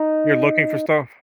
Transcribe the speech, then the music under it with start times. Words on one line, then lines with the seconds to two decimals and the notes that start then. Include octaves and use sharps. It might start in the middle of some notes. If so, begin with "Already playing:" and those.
You're looking for stuff?
Already playing: D#4